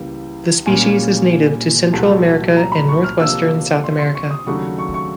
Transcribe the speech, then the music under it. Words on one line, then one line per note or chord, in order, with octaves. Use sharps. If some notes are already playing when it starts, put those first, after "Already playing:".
The species is native to Central America and northwestern South America.
Already playing: C#2 C#3 E3 G3 A#3
A#2 G3 A#3 C#4 G#5
C2 A#2 F#3 A3 A5
A#5
B5
C#6
F6
C3 F3 A#3 D4 E6
C6
C6
C#6
D#6
D#2 C#3 F#3 A3 D4 C#6
C#6
C#6